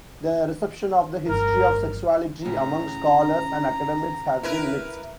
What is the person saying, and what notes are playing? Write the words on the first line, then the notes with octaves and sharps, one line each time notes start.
The reception of "The History of Sexuality" among scholars and academics has been mixed.
G1 F2 A#4
A2 C#3 C#4 A#5
E4 A#4 B4